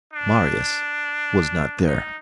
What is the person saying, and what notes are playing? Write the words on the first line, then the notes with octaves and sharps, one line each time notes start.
Marius was not there.
D4
D#4